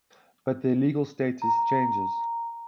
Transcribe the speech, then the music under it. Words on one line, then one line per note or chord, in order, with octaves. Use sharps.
But their legal status changes.
A#5